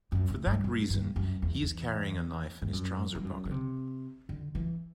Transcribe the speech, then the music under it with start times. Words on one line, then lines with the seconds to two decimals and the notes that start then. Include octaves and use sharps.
For that reason he is carrying a knife in his trouser pocket.
0.12 F#2
0.30 A2
0.46 G2
0.64 F#2
0.90 G2
1.16 F#2
1.42 E2
1.62 E2
2.62 G2
2.73 F#2
3.15 G2
3.24 F#2
3.45 D3
3.51 C3
4.29 D3
4.55 E3